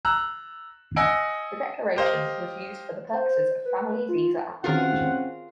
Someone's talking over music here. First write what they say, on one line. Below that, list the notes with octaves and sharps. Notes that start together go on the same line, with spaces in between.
The Declaration was used for the purposes of family visa application.
A#5 E6 F#6
D#5 F#5 G#5 E6 D7
G4 A#4 C5 D#5 F5
C5
B4
F4
D#3 C4 C#4 F4 F#4 G#4 A#4 F#5